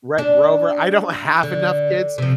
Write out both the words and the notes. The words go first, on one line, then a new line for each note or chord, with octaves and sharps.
Red Rover, I don't have enough kids
D4
D3
C3 F3